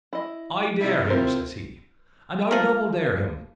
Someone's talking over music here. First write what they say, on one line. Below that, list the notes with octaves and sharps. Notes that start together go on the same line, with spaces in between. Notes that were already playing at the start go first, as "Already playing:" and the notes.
I dare him, says he, and I doubledare him.
E4 D#5
C3 D#4 E4
C4 F4 A#4 C5
F3 A#4